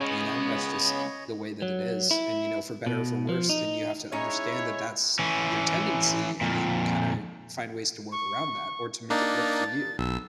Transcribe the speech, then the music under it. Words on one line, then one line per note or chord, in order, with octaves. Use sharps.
You know, that's just the way that it is. And, you know, for better or for worse, then you have to understand that that's your tendency and then kinda find ways to work around that or to make it work for you
C#3 G#3 B3 C#4 C#5 D#5
F#3
E4
B2
F3
D#4
G#3 C#4 D#4 E4 C#5
E3 C#4
F2 A#2
C#6
A#3 D4 D#4 A6
B1 E6